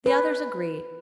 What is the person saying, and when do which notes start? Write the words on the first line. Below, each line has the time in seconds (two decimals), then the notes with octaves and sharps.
The others agreed.
0.06 B4